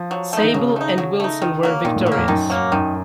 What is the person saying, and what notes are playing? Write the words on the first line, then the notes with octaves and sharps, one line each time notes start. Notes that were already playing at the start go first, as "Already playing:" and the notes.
Sable and Wilson were victorious.
Already playing: F3
F#3
A3 D#4
D#3
C#3 F#3
A3 D#4
F#3
A3 D#4
D#3
F#3 A#3
A#2 D#3
A2
F#3
A#3
F2
F#2 D#3
F#3 A#3
F#2 D#3